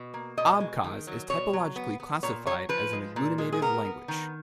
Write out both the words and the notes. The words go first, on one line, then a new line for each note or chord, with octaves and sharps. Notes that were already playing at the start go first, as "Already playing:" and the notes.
Abkhaz is typologically classified as an agglutinative language.
Already playing: B2
A#3
B2 D#5
G#3
D#3
F#3
B2 C#5
F#3
B3
B3
A#2 C#5
F#3 C#5
F3 B4
G#3
A#2
G#3
G#4
B3 A#4
B3
D#3